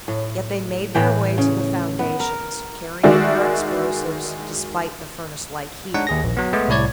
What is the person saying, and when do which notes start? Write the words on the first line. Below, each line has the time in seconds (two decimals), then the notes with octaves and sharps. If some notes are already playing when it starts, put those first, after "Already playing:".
Yet they made their way to the foundations, carrying their explosives, despite the furnace-like heat.
0.08 A2
0.95 A2 E3 G5
1.38 C#3
1.99 B3
2.20 A#4
3.03 D#3 G#3 F#4 D5 E5
5.94 G#3 D4 D#4 C#5 F#5
6.07 D#2 G#4 A#6
6.24 A#1
6.37 F#3 B3
6.53 G#3 A3 B3
6.68 C2 A2 E4 C#5 D5 G#6